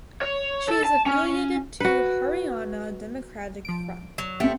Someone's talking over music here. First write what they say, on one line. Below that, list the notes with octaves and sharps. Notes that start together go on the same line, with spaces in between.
She is affiliated to Haryana Democratic Front.
C#5
A4
A5
C#4
F#4 B4
F3 D7
F#3
A#1 A3 B3 C4 G4 F#5